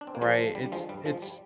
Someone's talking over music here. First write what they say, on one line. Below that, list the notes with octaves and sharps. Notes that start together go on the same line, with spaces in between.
Right. It's it's
D4
C4
A#3
F3 G#3
F3
D3 G3
G3
F3 G#3
G2 G3
F3 G#3
G3